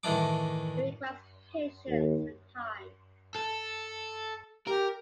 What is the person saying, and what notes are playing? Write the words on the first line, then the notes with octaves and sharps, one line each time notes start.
It requires patience and time.
A2 D#3 E3 D4 D6
D#2
A4
G4 A#4